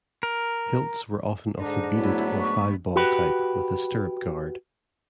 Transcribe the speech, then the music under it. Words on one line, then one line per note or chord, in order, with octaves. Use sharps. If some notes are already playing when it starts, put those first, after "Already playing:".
Hilts were often of the beaded or "five-ball" type with a stirrup guard.
A#4
G#2 D3 D4 D#4
F#3 A3 B3 E4
C#6
F#4 G4 B4